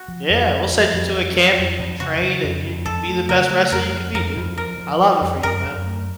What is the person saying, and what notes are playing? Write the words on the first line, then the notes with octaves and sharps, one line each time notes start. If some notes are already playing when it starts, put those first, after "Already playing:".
Yeah. "We'll send you to a camp, and you can train, and you be the best wrestler you could be, dude. I love it for you, man."
Already playing: F#4
F3
F2
F2
F2
F2
F2
F#3
F2
F2
C#3 F#4
C#3
F2
F2
F2 A4
A3
C#3 A#4
A3
F2 A#4
F2
F2 A#4
F2
F3 A#4
F3
F3
F2
F#2 A#4
F#2
A3